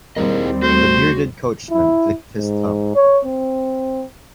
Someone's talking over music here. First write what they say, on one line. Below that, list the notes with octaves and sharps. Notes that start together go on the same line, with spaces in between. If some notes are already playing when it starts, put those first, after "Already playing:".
The bearded coachman clicked his tongue.
D#2 G3 C4 E4 G#4 A#4 D#5
A3 F#4 C5
E4
G#2
C#5
C4